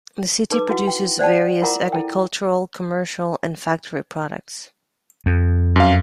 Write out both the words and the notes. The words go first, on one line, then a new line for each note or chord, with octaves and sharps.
The city produces various agricultural, commercial, and factory products.
D#4 A4 B4 D6
E4 F#4 F#5
G5
C5 D5 F#5 G5 A5
E4 F4 A#4 F#5 A#5 D6
E4 A4 G5
F2
F#2 F5